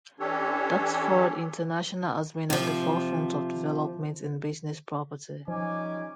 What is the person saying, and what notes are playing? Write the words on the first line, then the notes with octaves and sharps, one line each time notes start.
Doxford International has been at the forefront of developments in business property.
E3 C#4 D4 G4 A4 C#5
C3 F3
F3 G3 C#4 D#4 G#5 D6